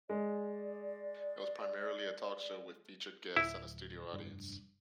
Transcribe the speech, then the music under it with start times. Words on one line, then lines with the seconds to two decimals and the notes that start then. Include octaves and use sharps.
It was primarily a talk show with featured guests and a studio audience.
0.09 G#3 D5
3.36 D1 E4
4.12 F1 G2 D4